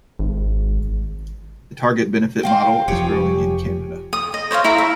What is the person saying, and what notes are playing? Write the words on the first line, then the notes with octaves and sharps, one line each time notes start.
The target benefit model is growing in Canada.
G#1
C4 F5 G5
F1 F3 G4 G#4 C#5
D#6
D#5
C5 C#5 D#5 F5
E4 E5 A#5
E5